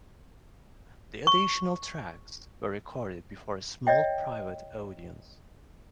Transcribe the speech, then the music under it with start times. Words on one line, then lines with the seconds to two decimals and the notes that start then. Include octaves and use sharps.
The additional tracks were recorded before a small private audience.
1.27 C#6
3.87 C#5 D#5 E5 G5